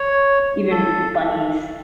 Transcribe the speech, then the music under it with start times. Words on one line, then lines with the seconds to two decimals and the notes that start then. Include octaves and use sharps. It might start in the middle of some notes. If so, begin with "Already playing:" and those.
even bunnies.
Already playing: C#5
0.71 A4